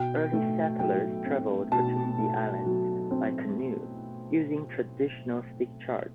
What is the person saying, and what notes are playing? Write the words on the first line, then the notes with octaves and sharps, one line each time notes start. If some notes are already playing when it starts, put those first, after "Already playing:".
Early settlers traveled between the islands by canoe using traditional stick charts.
Already playing: B2 G5
A3
F#3 G5
C4
B2 A5
A3
F#3
C4